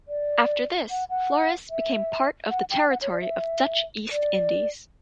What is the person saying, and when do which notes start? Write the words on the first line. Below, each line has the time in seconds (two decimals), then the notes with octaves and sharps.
After this, Flores became part of the territory of Dutch East Indies.
0.08 D5
0.90 F#5
1.10 F#5
1.70 E5
2.50 F#5
2.71 G5
2.90 F#5
3.01 C#5
3.12 D5
3.21 E5
4.11 D5